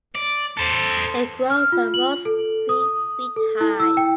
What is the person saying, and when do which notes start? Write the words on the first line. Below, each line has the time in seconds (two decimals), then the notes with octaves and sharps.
It grows at most three feet high.
0.15 D5
0.57 A4 C5
1.50 F6
1.72 F4
1.94 F#7
2.25 A4
2.69 D#6
3.36 A4
3.61 E4
3.80 E6
3.97 G5